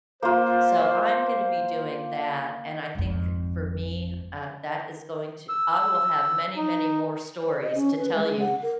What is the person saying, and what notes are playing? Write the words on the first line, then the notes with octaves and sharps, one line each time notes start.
So, I'm gonna be doing that and I think for me, uh, that is going to I will have many, many more stories to tell you.
A#3 F4 C5
G#1 F2
E6
D#4
C5
D#5
C#4
B4
G#3
F#5
A#4